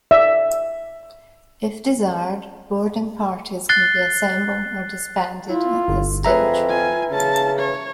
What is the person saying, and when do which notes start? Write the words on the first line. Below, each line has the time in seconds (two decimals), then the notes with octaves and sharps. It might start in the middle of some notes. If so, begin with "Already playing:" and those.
If desired, boarding parties can be assembled or disbanded at this stage.
0.11 D5 E5
3.69 F#6 A6 C7 G7
5.48 E4 F4
5.88 G1
6.25 F2 G#4 B4 E5 A#5
6.65 F4 G#5
7.11 C#3 C#4 A5
7.60 C#5